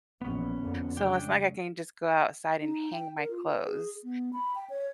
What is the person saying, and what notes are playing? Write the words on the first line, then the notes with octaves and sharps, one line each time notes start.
so it's not like I can just go outside and hang my clothes,
A#1 E3 B3 C#4
F2 D3 A#3
C#3 G#3 D4 G5
D#4
G5
A#4
F4
B4
G#4
B3
B5
G5
C#5